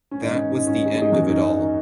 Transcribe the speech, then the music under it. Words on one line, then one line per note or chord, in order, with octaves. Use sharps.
That was the end of it all.
C#4
G#2 D#3 D#4
C#4
D#4
G#2 D#3 C#4
D#4
G#4
C#4 F#4
D#4 G#4
F#2 D#3 C#4 F#4
C#4
D#4
C#4
D#3